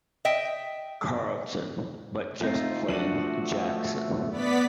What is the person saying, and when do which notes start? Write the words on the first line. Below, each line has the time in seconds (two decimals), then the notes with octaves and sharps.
Carleton, but just plain Jackson.
0.25 D#5 E5 G5
2.43 A3 C4 D#4 F4
2.88 F3 D4 F#4 D#7 F#7
4.30 B3 D5 B6